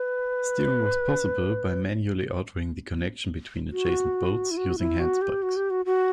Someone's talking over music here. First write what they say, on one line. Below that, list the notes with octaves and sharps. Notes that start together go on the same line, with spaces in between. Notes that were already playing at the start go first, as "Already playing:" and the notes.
Steering was possible by manually altering the connection between adjacent boats, using handspikes.
Already playing: B4
F#4
E4
F#4
E4
F#4
G4
F#4
G4
F#4
F#4